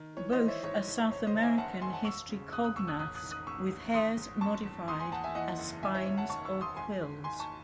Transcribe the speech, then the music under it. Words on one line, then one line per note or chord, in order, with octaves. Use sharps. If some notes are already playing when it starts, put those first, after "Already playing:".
Both are South American hystricognaths with hairs modified as spines or quills.
Already playing: D#3
E3 C#5
C5 D#5
E3
C#5 E5
G#1 C#5
G#1
F#1 C#5
C5 D#5
D#3
E5 G#5
F#1 F#5 A5
F#1 G#5 C6
F#5 A5
E1 C#6 E6
C#3
E1 D#6 F#6
D#6 F#6
E1 C#6 E6
D#6 F#6
A1 D#6 F#6
D#6 F#6
D#3
D#6 F#6
A1 C#6 E6
A1
G#1 C6 D#6
G#1
F#2 A5 C#6
G#1
E2 C6 D#6
G#5 C6
E2 F#5 A5
E5 G#5
E3 D#5 F#5
F#1
D#3 E5 G#5
C#5 E5
E1 C#5
F#5 A5
D#3 A5 C#6
C#6 E6
E1
C6 D#6
G#1 G#5 C6
G#1
D#3 G#5 C6
A5 C#6